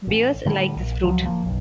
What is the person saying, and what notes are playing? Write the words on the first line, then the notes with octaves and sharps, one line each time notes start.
Bears like this fruit.
A1
A2 D3 G3
A#1
C#2 F3 F#3
D1 F3 A#3
F#1 B1